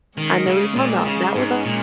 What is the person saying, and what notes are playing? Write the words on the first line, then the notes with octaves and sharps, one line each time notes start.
I know what you're talking about, that was
D#3 G#3 C#4
C#3
A#2
C#3
G#2
A#2